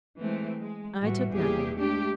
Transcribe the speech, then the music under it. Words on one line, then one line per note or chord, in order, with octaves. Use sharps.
'I took nothing.
E3 G#3 A3 C4
G#3
A2 E3 G3 F#4
E2 A#2 G3 G4 G#4
G#3 A3 D4 G4